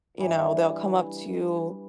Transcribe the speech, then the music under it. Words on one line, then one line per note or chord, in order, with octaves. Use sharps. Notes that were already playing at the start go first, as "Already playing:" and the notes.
you know? They'll come up to you
G2 E3